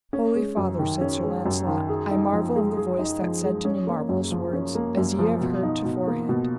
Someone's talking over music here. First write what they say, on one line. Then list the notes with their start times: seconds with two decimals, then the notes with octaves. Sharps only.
Holy father, said Sir Launcelot, I marvel of the voice that said to me marvellous words, as ye have heard to-forehand.
0.13 C#4
0.35 G#3
0.57 F#2
0.79 D#3
1.01 C#4
1.23 G#3
1.46 F#2
1.67 D#3
1.89 G#4
2.11 D#4
2.33 F3
2.56 G#3
2.77 G#4
2.99 D#4
3.21 F3
3.43 G#3
3.65 C#4
3.87 A#3
4.09 F#2
4.31 F3
4.53 C#4
4.75 A#3
4.97 F#2
5.19 F3
5.41 B2
5.63 D#4
5.85 B2
6.07 A#3
6.29 B2